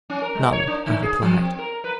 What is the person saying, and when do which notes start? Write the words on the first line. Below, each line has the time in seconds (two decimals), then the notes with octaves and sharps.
"None," I replied.
0.10 C#4
0.22 A#4
0.35 G#3
0.52 C#5
0.67 D4
0.86 D3
1.02 G#4
1.22 F3
1.40 C4
1.59 A#4
1.84 B4